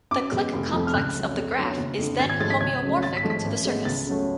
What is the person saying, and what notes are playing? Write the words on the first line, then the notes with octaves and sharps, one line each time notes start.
The clique complex of the graph is then homeomorphic to the surface.
F#2 D6
C#3 G#3 B3
F1
F2 F3
F6
C#2 F#6
C#3 F#3
F2
D3 F#3 B3
F#1
F2 D3
G#1 A6
G#6
G#2 F3 A3 A6
B6
C#2 G#6
C#3 F#3 A3
G#1 A6
B6
G#2 F3 A3
B6
A1
A2 G#3 B3
C#2 A6
C#3 F#3 A3